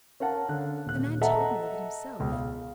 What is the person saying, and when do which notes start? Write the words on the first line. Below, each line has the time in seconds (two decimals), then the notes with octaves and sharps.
The man told me of it himself.
0.20 C#4 A#4 F5 F#5 A5
0.49 D3 F#6
0.86 D#1 F#6
1.21 A4 D#5 E5 F#5 A#5
2.19 E1 C#2
2.32 F5